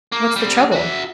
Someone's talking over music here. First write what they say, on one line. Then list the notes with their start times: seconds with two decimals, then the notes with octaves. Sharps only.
'What's the trouble?
0.12 A#3
0.36 G3 C4
0.72 F#4 E5